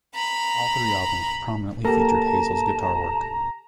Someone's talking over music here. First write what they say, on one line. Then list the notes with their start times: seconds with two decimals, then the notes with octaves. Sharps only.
All three albums prominently featured Hazel's guitar work.
0.15 A#5 B5
1.85 A#3 G4 A4 A5 A#5